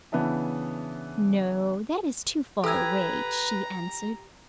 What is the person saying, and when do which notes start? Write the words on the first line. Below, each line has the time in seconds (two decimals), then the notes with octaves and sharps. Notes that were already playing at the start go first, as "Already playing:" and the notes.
"No--that is too far away," she answered.
0.12 C#3 E3 B3 D4 E5 A5
2.64 G4 A4 B4 G#5 A#5 E6